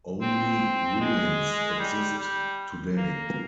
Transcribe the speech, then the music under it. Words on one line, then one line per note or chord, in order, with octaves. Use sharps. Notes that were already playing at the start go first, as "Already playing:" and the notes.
Only ruins exist today.
C4
G#3
G3
G3
A#3